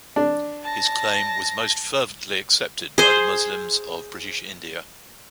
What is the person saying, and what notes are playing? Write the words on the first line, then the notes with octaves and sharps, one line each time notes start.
His claim was most fervently accepted by the Muslims of British India.
D4
A5 A#6
G#4 C5